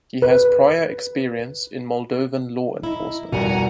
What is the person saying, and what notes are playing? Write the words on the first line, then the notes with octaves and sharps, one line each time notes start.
He has prior experience in Moldovan law enforcement.
B4
D#4 E4
F1 C2 B2 G3 F#4 F#5 G#5 A#5